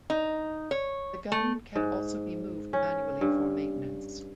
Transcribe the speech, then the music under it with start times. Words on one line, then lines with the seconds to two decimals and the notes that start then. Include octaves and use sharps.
The gun can also be moved manually for maintenance.
0.10 D#4
0.71 C#5
1.32 A3
1.76 G#2
2.73 C#4
3.21 G2